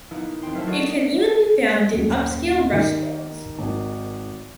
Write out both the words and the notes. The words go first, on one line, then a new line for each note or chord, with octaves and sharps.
It can even be found in upscale restaurants.
A#3 B3 D#4 E4
D#2 C4 G5 C6
F#3 A3 C5 E5 F6 C7
F#4 A4 A#4 C#5 D#5
D#1 F#2
D#3 G4
G#1